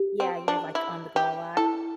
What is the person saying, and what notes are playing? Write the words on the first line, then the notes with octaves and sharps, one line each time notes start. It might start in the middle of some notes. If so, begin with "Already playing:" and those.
Yeah, you're, like, on-the-go a lot?
Already playing: G4
C4
D4
E4
G4
E4 A4